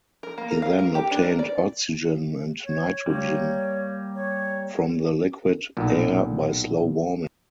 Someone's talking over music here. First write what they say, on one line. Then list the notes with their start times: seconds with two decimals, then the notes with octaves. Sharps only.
He then obtained oxygen and nitrogen from the liquid air by slow warming.
0.23 A#4
0.38 A#3
0.51 A#4
0.62 F5
0.79 A#4
0.95 G4
1.11 D4
1.23 A#4
1.39 D5
2.64 C#5
3.06 G3 A#3 C#5
4.15 C#5
5.77 B1 A#2